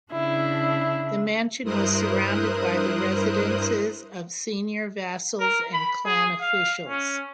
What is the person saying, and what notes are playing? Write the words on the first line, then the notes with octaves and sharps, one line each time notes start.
The mansion was surrounded by the residences of senior vassals and clan officials.
C#3 D4 E4
G2 E4 A#4 C5 D#6 F#6
A#4
B5
G#4
F5
C#4